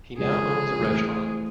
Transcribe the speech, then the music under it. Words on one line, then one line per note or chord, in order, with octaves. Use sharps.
He now owns a restaurant.
C#3 F3 G#3 C#4 G#4
E3 A3 C4